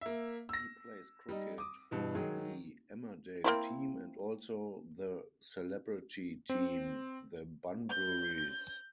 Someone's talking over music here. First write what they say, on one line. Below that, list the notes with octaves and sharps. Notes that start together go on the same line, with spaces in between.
He plays cricket for the Emmerdale team and also the celebrity team, the Bunburys.
A#3 E5
E6 A#6
G3 D#4
D6 D#6
G2 B2 E3
D#3 F#3 G#3 G#4
A#3 C4 E4
C4
G6